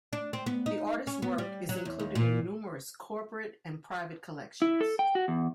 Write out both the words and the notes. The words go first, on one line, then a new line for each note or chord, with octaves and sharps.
The artist's work is included in numerous corporate and private collections.
D4
C4
B3
D#4
C#4
B3
G3
F#3
E2
D#2
A#2
E4
A4
G5
F#4
E2